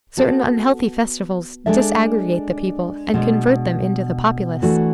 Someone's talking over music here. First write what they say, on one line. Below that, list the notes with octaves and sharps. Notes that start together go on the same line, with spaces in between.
Certain unhealthy festivals disaggregate the people and convert them into the populace.
B3 F#4 A4
G#3 D4 A4 E5
B2 G#3 D4
E3 A3 D4 F#4